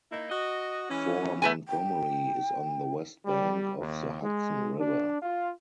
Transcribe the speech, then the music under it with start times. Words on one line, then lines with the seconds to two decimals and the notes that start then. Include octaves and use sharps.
Fort Montgomery is on the west bank of the Hudson River.
0.11 A#3 D#4 E4
0.30 F#4 D#5
0.89 E3 G#3 C#4
1.42 A3 B4 G#5
1.68 G5
3.25 G3
3.79 D#2
4.21 G#3
4.79 D4
5.22 F4